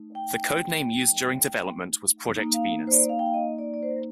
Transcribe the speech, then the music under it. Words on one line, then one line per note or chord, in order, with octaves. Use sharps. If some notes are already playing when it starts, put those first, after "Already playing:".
The codename used during development was Project Venus.
Already playing: A3 D#4
G5
A#3 D#4
F5
C5
D5
F5
G5
F5
D#5
D5
D5
C5